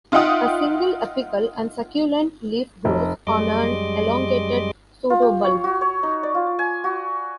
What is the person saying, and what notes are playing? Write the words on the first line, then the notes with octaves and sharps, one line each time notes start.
A single, apical and succulent leaf grows on an elongated pseudobulb.
D#4 F4 E5 F#5 G5 D#6
F1
F#2 G3 G#3 D#5 C6 D6
F4
G4
C#5
F#4
C#5
D#4
D5
F4
G#5
F#4